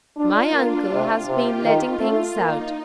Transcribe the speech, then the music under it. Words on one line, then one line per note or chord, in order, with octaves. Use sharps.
'My uncle has been letting things out.
D4 F4
A#3 D4
C3 F4
C3 G4
D#3 F4
A3 F4
A#3 D#4